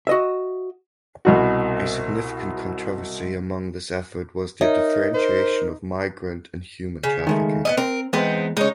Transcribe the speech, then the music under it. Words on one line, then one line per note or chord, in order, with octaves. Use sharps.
A significant controversy among this effort was the differentiation of migrant and human trafficking.
F#4 D#5 E5
C2 B2 F#4
D#4 A#4 C#5 E5
A#4 C5
C#3
D#3 G#3 A3
B3 C#4 D#5
C4 A#4
E2 G#3 B3 C4 D#4 C5
C#3 G#3 D#4 C#5